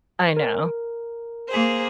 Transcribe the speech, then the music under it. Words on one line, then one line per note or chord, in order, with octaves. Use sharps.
I know.
A#4
A#3 G#4 C5